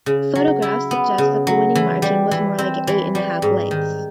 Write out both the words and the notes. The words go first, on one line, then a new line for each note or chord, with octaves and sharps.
Photographs suggest that the winning margin was more like eight and a half lengths.
C#3
F#3
E4
B3
C#3
F#3
E3
G3
E3
C4
E3
G3
G#2
D#3